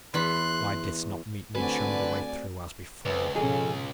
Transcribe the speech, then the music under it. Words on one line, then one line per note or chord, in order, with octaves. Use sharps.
"Why didst not meet me and show me the way through, as before?"
E2 B5 C6 F#6
D3 A3 C4 F#4 B4 D5 G#5
C#2 B4
F2 G#2 B2 C#4 G#4 A4